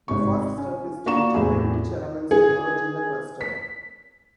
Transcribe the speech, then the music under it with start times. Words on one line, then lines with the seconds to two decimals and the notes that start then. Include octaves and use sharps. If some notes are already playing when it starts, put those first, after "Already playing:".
The first step is to determine which elements to merge in a cluster.
0.08 G#1 C3 C#6
0.58 C#4
1.06 A#3 D4 F#4 A#5 C#6 E7
1.34 E2 A2 C3 F#4 G#4 G#5
2.31 G#4
3.41 B6